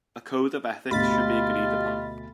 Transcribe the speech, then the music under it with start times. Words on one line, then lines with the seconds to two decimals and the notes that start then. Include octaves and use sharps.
A code of ethics should be agreed upon.
0.91 D2 B2 F4 G4 D#5 B5 A6